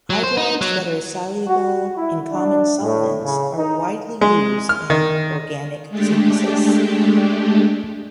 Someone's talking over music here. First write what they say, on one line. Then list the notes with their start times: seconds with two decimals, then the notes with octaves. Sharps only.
Hydrides that are soluble in common solvents are widely used in organic synthesis.
0.10 F#3
0.24 C5
0.37 D#4
0.61 F#3
1.47 F#4
1.97 E4
2.33 D4
2.82 A2
3.24 C#3
3.57 D#4
4.21 G#3
4.69 F6
4.90 D#3
5.89 G#3 A3 D4 G4